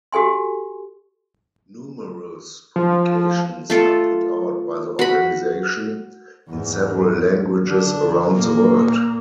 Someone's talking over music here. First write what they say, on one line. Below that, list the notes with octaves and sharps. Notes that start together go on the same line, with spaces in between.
Numerous publications are put out by the organisation, in several languages around the world.
F#4 G4 A4 G#5 C6
F3
A3 F4 A4
F#4 B5
E2 G#2
D3 D4
A#2 A#3